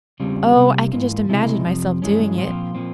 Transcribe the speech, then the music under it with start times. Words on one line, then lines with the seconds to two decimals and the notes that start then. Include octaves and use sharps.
Oh, I can just imagine myself doing it.
0.20 E2 C#3 G3 C4 F4
0.56 C2 C3 G3 A#3
0.93 G#2 E3 A#3 F4
1.29 C#2 C3 E3 G#3 E4
1.65 F2 C3 F3
2.02 G2 E3 G#3 C#4
2.38 A#2 F3 C4 F4
2.75 A#2 F3 C4